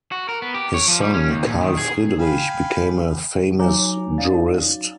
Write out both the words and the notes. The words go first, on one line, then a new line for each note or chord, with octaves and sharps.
His son, Karl Friedrich, became a famous jurist.
F#4
A#4
B3
G4
C#5
F3
G3
C#4
D#2
A#2
D#3
G#4
F5 G5 G#5 B5
F#3 D#4 C#5 G#5 A#5 D6
C#4 D5 F5